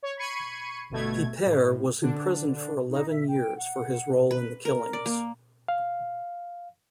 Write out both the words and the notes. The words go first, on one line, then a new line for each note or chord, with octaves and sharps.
Peiper was imprisoned for eleven years for his role in the killings.
C#5
B5 C#6 G#6 C7 C#7 D#7
G1 B2 A3 G#6
A2
D3 D4
D#4
E5
G5
F#5
B4
A#4
D5
A#3
F5